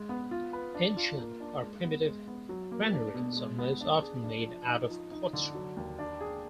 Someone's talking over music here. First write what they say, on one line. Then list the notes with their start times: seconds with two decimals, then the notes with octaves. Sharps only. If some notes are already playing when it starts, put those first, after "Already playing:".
Ancient or primitive granaries are most often made out of pottery.
Already playing: G#3
0.09 B3
0.31 F4
0.53 B4
0.75 D4
0.97 F4
1.18 A#3
1.40 D4
1.62 G#3
1.84 B3
2.06 G#3
2.27 B3
2.49 F#3
2.71 A#3
2.93 D4
3.14 B2
3.37 G#3
3.58 B3
3.81 D4
4.02 G#4
4.24 D4
4.46 F3
4.68 D#4
4.90 F3
5.11 D#4
5.33 D3
5.55 F#3
5.77 D#2
5.99 D4
6.21 G#4